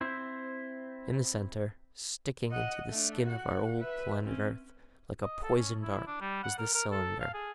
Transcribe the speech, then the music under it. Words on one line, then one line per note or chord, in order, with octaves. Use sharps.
In the centre, sticking into the skin of our old planet Earth like a poisoned dart, was this cylinder.
C4 E4 C5 E5
D#5 F#5
A3 D4
F#4 F#5
B4 E5
C4 C#4
D#5
A4
C#4
E4
D4
G3
F#5
A#4
A#4
A4
F5
G#4